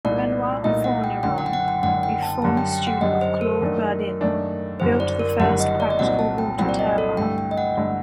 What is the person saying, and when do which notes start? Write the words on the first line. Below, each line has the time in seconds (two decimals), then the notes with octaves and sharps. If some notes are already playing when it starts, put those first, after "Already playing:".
Benoit Fourneyron, a former student of Claude Burdin, built the first practical water turbine.
0.05 C2 A#2 A3 D#4 D5
0.64 C2 A#2 A3 D#4 D#5
0.84 F#5
1.04 G5
1.23 F#1 F#2 D3 G5
1.38 F#5
1.46 G5
1.53 F#5
1.68 G5
1.83 F#1 F#2 D3 F#5
2.03 G5
2.23 A5
2.42 F#2 D3 G3 A5
2.57 G5
2.72 G5
2.87 F#5
3.01 F#2 D3 G3 D#5
3.21 C5
3.41 A#4
3.62 F#2 D#3 A3 D4
4.21 F#2 D#3 A3 D4
4.80 F#1 F#2 D3 G3 C5
5.00 D5
5.19 A#4
5.40 F#1 F#2 D3 G3 F#5
5.60 D#5
5.80 D5
5.90 D#5
5.99 C2 A#2 F#3 C4 F#5
6.19 A5
6.38 G5
6.58 C2 A#2 F#3 C4 G5
6.69 D5
6.79 D#5
6.98 A4
7.17 G2 D3 A3 G5
7.38 G5
7.51 D#5
7.58 F#5
7.77 G2 D3 A3